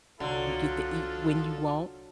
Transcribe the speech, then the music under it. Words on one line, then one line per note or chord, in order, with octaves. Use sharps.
you get to eat when you want
C2 D3 F#3 F4 A4 C6